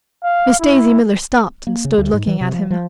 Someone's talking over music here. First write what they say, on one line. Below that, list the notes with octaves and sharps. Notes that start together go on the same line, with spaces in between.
Miss Daisy Miller stopped and stood looking at him.
F5
E4
A#3
C#3
D2
G#2
E3
C3
F3
F3